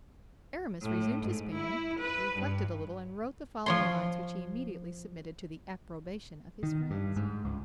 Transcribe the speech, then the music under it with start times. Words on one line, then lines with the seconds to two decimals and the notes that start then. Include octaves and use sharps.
Aramis resumed his pen, reflected a little, and wrote the following lines, which he immediately submitted to the approbation of his friends.
0.85 A2
1.23 G#2
1.55 E4
2.00 B4
2.36 G2
3.66 F3 C#5 C6
6.63 D#3
6.91 G2
7.16 G#2
7.45 C#2